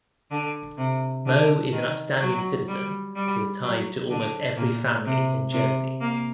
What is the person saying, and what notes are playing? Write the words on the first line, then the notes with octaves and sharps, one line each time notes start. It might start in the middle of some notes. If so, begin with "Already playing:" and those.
Mo is an upstanding citizen with ties to almost every family in Jersey.
D3
C3
D3
D#3
F#3
G3
G3
F#3
D3
A#2
C3
C3
A#3